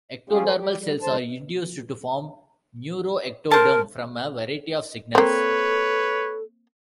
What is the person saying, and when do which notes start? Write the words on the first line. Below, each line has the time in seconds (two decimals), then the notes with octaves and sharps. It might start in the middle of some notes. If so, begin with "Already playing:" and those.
Ectodermal cells are induced to form neuroectoderm from a variety of signals.
0.30 G3 G#3 C#4 F4 G4 G#4
0.44 A4 C5 G#5
0.57 G3 G4
0.78 G3
1.02 F2 G#2 D3 C5 A5
3.51 A#4 C5 A5
5.15 A#3 C4 A4 B4 C#5